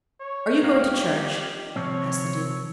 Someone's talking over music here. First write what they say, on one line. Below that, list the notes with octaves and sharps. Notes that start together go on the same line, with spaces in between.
"Are you going to church?" asked the Duke.
C#5
F4 G4 D#5 F5
C3 F3 C4 C#5